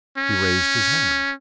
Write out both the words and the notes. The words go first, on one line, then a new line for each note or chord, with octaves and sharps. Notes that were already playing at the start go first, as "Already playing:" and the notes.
He raised his hand.
C#4